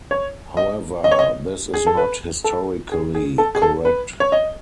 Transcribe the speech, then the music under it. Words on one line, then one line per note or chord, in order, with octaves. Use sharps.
However, this is not historically correct.
C#5
D#5
D#5
C#5
D#5
G#4
A4
B4
A4
G#4
G#4
A4
G#4
A4
B4
C#5
D#5